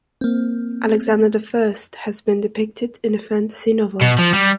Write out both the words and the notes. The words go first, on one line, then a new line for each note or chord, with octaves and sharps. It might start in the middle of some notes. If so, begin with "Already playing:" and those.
Alexander the First has been depicted in a fantasy novel.
A#3 C4
B2
F3
G3